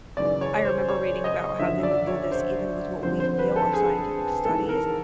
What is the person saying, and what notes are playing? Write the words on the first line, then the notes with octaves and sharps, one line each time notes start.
I remember reading about how they would do this even with what we feel are scientific studies
F#2 C#3 E3 D5
C#5
C5
C#5
D#5
F#2 D3 F3 E5
D5
C#5
C5
F2 D3 F3 C5
C5
B4
A4
G#4
G#2 E3 A4
A#4